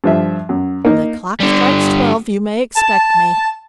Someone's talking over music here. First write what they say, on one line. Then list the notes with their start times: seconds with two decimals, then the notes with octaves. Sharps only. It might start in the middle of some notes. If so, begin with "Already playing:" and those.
"When the clock strikes twelve you may expect me."
0.04 G2 F3 E5
0.49 F#2
0.85 A#3 D#4
1.40 D3 G3
2.76 A5